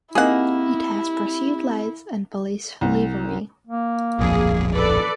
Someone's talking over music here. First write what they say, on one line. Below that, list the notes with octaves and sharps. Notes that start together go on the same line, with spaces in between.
It has pursuit lights and police livery.
A#3 C4 D#4 E4 G4 G#4 D#5 F#5
C2
A#3
D1 A#1 F2 G#4
A4 B4 D5